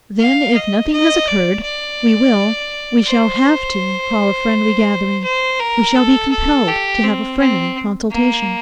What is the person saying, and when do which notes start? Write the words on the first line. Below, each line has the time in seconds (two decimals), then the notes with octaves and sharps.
Then, if nothing has occurred, we will, we shall HAVE to call a friendly gathering, we shall be compelled to have a friendly consultation.'
0.20 F5
0.56 D#5
0.92 D#5
1.28 D5
1.63 D5
3.07 C5
5.23 C5
5.59 A#4
5.96 A4
6.31 A4
6.68 G4
7.03 C4
7.39 C4
8.11 A#3